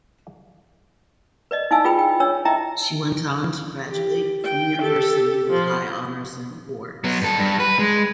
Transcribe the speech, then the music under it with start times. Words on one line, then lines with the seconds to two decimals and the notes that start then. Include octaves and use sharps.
She went on to graduate from university with high honors and awards.
1.51 B4 D5 D#5
1.71 D#4 E4 F5 G#5 E6
1.85 F4 G#4 B4 G5 B5
1.99 G5
2.20 D4 C#5 E6
2.45 E4 D#5 E5 G5 A#5
3.91 G4
4.44 G5
4.80 G4 A4
5.50 F3
7.04 F#3 B3
7.22 G2 A4
7.39 G2
7.60 B4
7.79 G#3